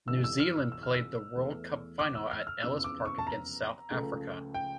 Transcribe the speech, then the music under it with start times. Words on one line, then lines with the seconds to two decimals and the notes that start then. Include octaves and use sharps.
New Zealand played the World Cup final at Ellis Park against South Africa.
0.08 G1 F2 E3 G3 E6
0.24 E6
0.40 F6
0.56 F6
0.72 E6
0.83 F6
0.95 E6
1.36 E2 E3 A3
1.99 D6
2.15 E6
2.31 F6
2.47 F6
2.63 F1 E2 C#3 F3 E6
2.84 D6
3.05 C#6
3.18 A5
3.27 A#5
3.90 C#2 C#3 F3 A3
4.54 G5